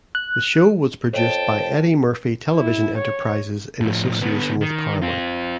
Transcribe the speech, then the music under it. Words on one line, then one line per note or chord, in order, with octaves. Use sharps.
The show was produced by Eddie Murphy Television Enterprises in association with Paramount.
F#6
F2 C#5 G5 A5
E4
C#5
A2 F3
D3 B3
D#3
C4 F4